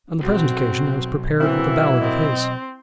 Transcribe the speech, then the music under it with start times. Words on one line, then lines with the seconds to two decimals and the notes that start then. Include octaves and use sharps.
On the present occasion, I was prepared with a ballad of his.
0.22 B1 C4 F#4
1.40 E3 F#3 A#3 C4 E4
1.99 C4 D#5